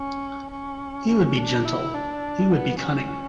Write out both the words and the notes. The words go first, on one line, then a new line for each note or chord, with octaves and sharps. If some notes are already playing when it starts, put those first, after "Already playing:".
He would be gentle, he would be cunning.
Already playing: C#4
C#4
D4
E4
D4
B3
C#4